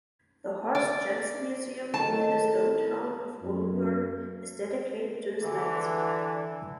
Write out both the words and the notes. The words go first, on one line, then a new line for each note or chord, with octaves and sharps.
The Horst Janssen Museum in his hometown of Oldenburg is dedicated to his legacy.
D5
A2 D#3 A5
F#2
D3 E3 D4